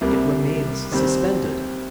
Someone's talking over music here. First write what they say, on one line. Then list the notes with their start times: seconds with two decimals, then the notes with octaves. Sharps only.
It remains suspended.
0.01 C2 C3 G3 A#3
0.92 D#2 D#3 G3 C4